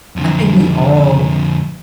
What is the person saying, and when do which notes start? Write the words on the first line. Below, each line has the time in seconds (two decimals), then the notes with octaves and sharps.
I think we all
0.16 F2 D3